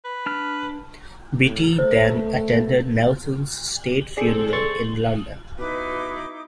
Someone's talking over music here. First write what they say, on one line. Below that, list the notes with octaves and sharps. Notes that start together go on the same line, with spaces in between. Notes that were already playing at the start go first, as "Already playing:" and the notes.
Beatty then attended Nelson's state funeral in London.
B4
D4 F6
A2
A3 C5
C4 G#4 A4 D5
C6 C#6 A6
B2 D#4 E4 B4 D6